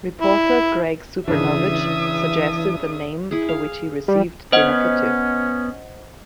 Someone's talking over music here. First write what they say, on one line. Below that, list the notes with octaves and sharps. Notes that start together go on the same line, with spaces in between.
Reporter Greg Supernovich suggested the name-for which he received dinner for two.
E4
C#3 E3 D4 E5 D#6
E4 G#4
F5
G3
B3 C#4 C5 D#5 F#5